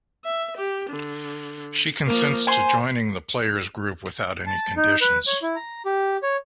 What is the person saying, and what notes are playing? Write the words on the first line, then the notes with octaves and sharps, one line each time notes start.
She consents to joining the player's group without any conditions.
E5
G4
D3
F3 A#3
C5 G#5 C6
A5
D#4
B4
C#5
E4
A#5
G4
C#5